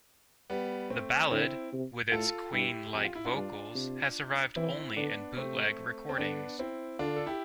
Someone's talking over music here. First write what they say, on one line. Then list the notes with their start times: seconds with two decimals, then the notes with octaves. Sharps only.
The ballad, with its Queen-like vocals, has survived only in bootleg recordings.
0.50 G3 B3
0.90 A3 C4
1.31 D3 C4 E4
1.72 C3
2.12 A2 F4 A4
2.53 G2 E4 G4
2.93 F2 G4
3.05 F4
3.15 E4
3.25 D4 F4
3.34 G2
3.75 C3
4.56 E3 C4 E4
4.96 D3 B3 D4
5.37 C3 A3 C4
6.09 C4
6.18 D3 B3 D4
6.59 C4 E4
6.99 D3 D4 F4
7.16 A4
7.26 E4 G4